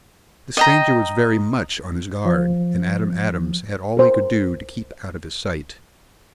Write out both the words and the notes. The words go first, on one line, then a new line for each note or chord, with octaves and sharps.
The stranger was very much on his guard, and Adam Adams had all he could do to keep out of his sight.
D#5 G5 A#5
F3
A#4 C5